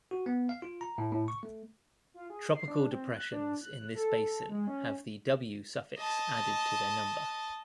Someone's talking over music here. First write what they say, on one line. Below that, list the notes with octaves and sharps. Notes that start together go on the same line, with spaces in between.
Tropical depressions in this basin have the "W" suffix added to their number.
F#4
B3
F5
F4
A#5
A2
A2
C#6
A3
F4
G#4
C7
D4
C4
F#6
D4
F#6
A4
G#3
C#4
D#5 A5